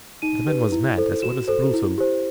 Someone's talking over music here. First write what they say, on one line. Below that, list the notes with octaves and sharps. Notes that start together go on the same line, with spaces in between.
"The man was mad as well as brutal."
D#4 D#7
G4 B4
E4
A4 C5
F#4 E7
A4 C5
E4
G4 C5